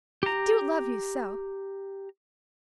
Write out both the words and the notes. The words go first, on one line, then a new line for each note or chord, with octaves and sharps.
I do love you so!
G4 A#5